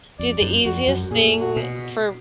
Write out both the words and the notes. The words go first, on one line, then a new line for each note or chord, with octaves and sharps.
do the easiest thing for
F2 D5
F#2
F2 F#4
F#2
A#2 G#4
F#4
B2